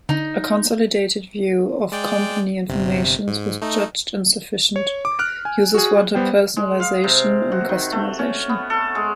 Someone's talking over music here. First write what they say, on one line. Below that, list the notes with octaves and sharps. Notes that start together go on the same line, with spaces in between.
A consolidated view of company information was judged insufficient; users wanted personalization and customization.
D3 D#4
G#3 D5 G5
G1 C3
G#2
A3 D#4
C#5
D6
F6 F#6 D7
G#5
F#4 G#4
G3 B3 C5 G5
G#3
F5
C3
F#4
D#3
A3
C#4
B3
A4
G#3